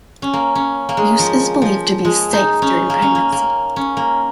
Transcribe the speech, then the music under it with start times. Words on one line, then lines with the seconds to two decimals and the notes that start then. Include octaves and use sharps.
Use is believed to be safe during pregnancy.
0.22 C#4
0.33 A#3
0.55 C#4
0.89 A#3
0.97 G#3
1.19 F3
1.62 F3
2.05 G#3
2.33 D#4
2.62 C#4
2.90 A#3
3.02 C#4
3.15 A#3
3.32 A#3
3.76 C#4
3.97 A#3